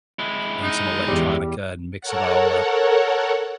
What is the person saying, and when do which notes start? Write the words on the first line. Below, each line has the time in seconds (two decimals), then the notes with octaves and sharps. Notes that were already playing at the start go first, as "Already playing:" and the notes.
and some electronica and mix it all up.
0.19 G#3 E4
0.63 D#4
1.08 E2 G3
2.01 A4 A#4 C#5 F#5